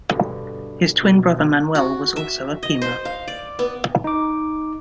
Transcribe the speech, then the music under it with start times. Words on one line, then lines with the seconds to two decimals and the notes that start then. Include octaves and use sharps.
His twin brother Manuel was also a "Puma".
0.11 G2 B2 D3
1.03 B2
1.75 F#4
2.16 E5
2.63 D#5
2.82 C5
3.05 F5
3.28 D5
3.59 B3
4.04 D#4 D6